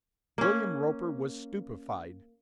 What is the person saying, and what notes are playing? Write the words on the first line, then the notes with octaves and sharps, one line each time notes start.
William Roper was stupefied.
A#3 C#4